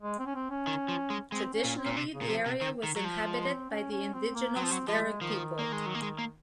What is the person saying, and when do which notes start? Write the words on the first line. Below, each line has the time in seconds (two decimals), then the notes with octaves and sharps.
Traditionally, the area was inhabited by the indigenous Dharug people.
0.02 G#3
0.19 C4
0.26 C#4
0.35 C4
0.50 C#4
0.67 D#3
0.88 F3
1.10 G#3
1.32 G#3 C4
1.54 C#4
1.64 A#2
1.76 C4
1.86 A#2
1.96 C3
2.13 C#3
2.21 A#2
2.29 C3 F3
2.46 C3
2.61 D#3
2.83 D#3
2.96 F#3
3.05 F3
3.27 G#3
3.48 C4
3.70 C#4
3.91 C#4
4.13 C4
4.35 A#3
4.56 F#3 C4
4.63 F3
4.71 F#3
4.88 F3 G#3
5.21 D#3 F3
5.59 A#3
5.72 G#3
5.86 F#3
5.95 A#3
6.02 G#3
6.19 A#3